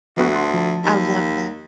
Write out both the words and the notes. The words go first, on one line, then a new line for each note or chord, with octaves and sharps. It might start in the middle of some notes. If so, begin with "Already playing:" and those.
I love that.
D2 F3 B3 F#4
F#5 A5 C6
F3 A5
D#2